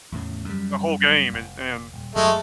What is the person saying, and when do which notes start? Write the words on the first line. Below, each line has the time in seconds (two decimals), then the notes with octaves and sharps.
the whole game and and
0.12 E2 A2 C#3
0.45 F#2 G3
1.33 F1
1.94 D#1
2.15 F#1 F#2 F#3 G#3 A3